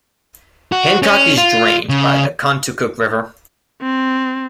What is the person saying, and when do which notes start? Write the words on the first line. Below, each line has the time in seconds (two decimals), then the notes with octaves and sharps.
Hancock is drained by the Contoocook River.
0.72 F#4
1.02 C#4
1.38 F4
1.89 C#3
3.81 C4